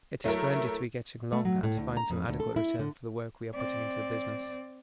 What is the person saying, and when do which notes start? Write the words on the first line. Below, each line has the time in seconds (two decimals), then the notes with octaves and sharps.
It is splendid to be getting along and to find some adequate return for the work we are putting into the business.
0.24 F#3 A3 E4 A#4
1.32 A3
1.45 F#3
1.63 A2
1.77 D2
1.97 A#5
2.10 F2
2.28 D2
2.40 A4
2.56 E4
2.79 D3
3.55 C4 D5